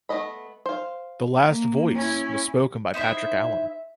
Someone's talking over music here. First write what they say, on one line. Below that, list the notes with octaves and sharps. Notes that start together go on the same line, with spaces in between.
"The last voice" was spoken by Patrick Allen.
A3 B3 D#5 B5
C5 F5
A#3
C#4 E4
D#4 E4 C5 E5